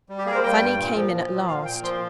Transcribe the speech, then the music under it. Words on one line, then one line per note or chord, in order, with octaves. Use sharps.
Fanny came in at last.
G3
G4
A#3 G#4
A#4
C5
G3 G5
G2
A#2
F3
F3
A#2
A#2 F5
A#2 G5
F3 C6